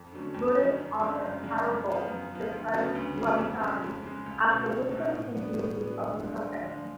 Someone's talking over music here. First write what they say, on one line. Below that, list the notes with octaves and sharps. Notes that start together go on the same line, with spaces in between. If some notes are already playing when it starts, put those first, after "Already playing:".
Buddhist author Taro Gold describes wabi-sabi as "the wisdom and beauty of imperfection".
Already playing: F2
D3 F#3 A3 C#4
F2
D3 F#3 A3 C#4
F#2
C#3 F3 G#3 D4
F#2
C#3 F3 G#3 D4
F#2
F3 B3
F#2
B3
F3
D2
C#3 F#3 B3
D2
C#3 F#3 B3
F2
C#3 G#3
F2
C#3 G#3
C#2
B2 A3 C#4
C#2
B2 A3 C#4
A2
F#3 B3 D4
A2
F#3 B3 D4
D2
D3 F3 G#3 D4
D2
D3 F3 G#3 D4